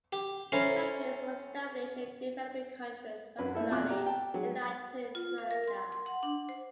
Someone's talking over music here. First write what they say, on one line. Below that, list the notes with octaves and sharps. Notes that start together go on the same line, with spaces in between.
Factories were established in developing countries, particularly in Latin America.
G4
C#4 E4 A4 C5 A#5 C6
F#2 B4
A#2 A3 E4 A4
F2 B2 F4 E5 D6 F#6
G4 A#5
G5 A5
F#3 G#3
F4
F5
A#4
C6
C6
F#5
D4
C5